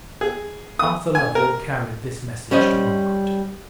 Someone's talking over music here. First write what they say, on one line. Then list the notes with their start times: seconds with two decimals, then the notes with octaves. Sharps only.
Arthur Lovell carried this message to Margaret.
0.21 G#4
0.79 D#6
1.15 G#5
1.35 A#4
2.51 G3 C#4 C5 D#5